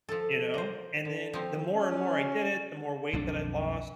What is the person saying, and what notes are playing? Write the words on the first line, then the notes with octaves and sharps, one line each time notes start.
You know? And then the more and more I did it, the more weight that I lost.
F3 A4
A#4 C5
D3
F3 C4
C#4
B1 F2 F#3 D4